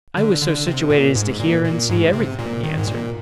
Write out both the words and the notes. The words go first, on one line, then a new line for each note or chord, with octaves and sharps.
"I was so situated as to hear and see everything," he answered.
D3
D3
C3
A#2
G#2
A#2
A#2
G#2
C3
A#2
D#3
G#2
A#2